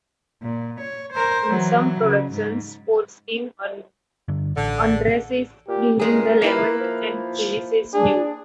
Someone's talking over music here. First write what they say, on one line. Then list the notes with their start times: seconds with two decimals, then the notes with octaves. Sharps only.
In some productions Foreskin undresses during the lament and finishes nude.
0.43 A#2
0.81 C#5
1.13 A#4 C5
1.50 E3 F#3
2.01 C#3
2.33 G#2
4.28 G2 D3
4.56 A1 D3
5.68 A#2 G4
5.99 C#2 A#2 G#3 G#4 A#4
6.42 A#3 E4 B4
6.81 F3
7.93 D4 G#4